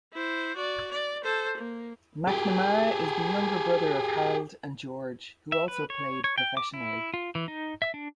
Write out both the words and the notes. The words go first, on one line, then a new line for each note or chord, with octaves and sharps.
McNamara is the younger brother of Harold and George, who also played professionally.
E4 C5
F#4 D5
D5
A4 C5
A#3
G4 G#4
E5
B4
C#5
C#5
G5
D6
E4
F4
E3
D#4
E5
D4